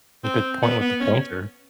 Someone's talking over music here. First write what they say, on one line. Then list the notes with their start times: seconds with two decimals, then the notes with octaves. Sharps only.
Good point with the pointer.
0.24 C4
0.63 B3
0.81 B3
1.00 C#4